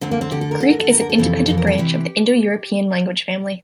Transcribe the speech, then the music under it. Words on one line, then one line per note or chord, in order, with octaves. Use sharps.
Greek is an independent branch of the Indo-European language family.
D2 D3 C4
A#3
C4
D2 D3 G4
A4
A#4
D2 D3 A4
A#4
A4
D2 D3 A#4
A#4
A4
F2 C3 E3
F2 C3 E3 A4
A#4
A4
C3 E3 G4